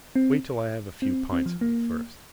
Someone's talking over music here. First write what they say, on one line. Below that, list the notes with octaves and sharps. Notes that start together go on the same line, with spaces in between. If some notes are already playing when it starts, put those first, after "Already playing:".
Wait till I have a few pints in me first.
C4
C4
C4
F3
A#3